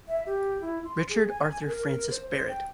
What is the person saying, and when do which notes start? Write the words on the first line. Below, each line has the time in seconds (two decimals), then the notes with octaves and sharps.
Richard Arthur Francis Barrett.
0.08 E5
0.26 G4
0.61 E4
0.85 C6
1.09 G#4
1.29 G#5
1.67 A#4
2.10 C5
2.31 C5
2.49 G5